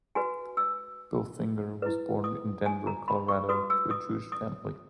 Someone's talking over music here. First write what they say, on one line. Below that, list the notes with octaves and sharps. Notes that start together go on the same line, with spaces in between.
Bill Finger was born in Denver, Colorado, to a Jewish family.
F#4 B4 G#5
E6
E4 B4
D#6
G#5
A#5
B5
C#6
F#4 B4 D#6
E6
D#6
D#6